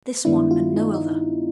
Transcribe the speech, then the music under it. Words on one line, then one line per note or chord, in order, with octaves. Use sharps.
This one and no other.'
G2 D#3 G#3 B3 D4 E4
F4
D#4
D#4